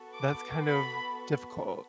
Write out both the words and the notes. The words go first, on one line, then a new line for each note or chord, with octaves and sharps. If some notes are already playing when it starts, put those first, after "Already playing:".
that's kind of difficult.
Already playing: B3 F#4 A4
D6
B5